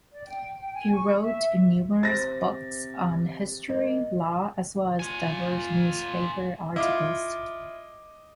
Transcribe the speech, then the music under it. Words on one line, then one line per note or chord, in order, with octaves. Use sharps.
He wrote numerous books, on history, law, as well as diverse newspaper articles.
D5
G5
G5
G#5
C#6
E5
C3 C5 A6 A#6
A#3 D#4 D#5
F4 G#5
E4 F4 D#5 D6